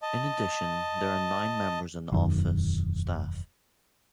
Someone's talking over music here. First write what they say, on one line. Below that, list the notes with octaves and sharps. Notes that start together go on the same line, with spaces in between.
In addition, there are nine members in the office staff.
D#5 A5
E1 F#2 D#3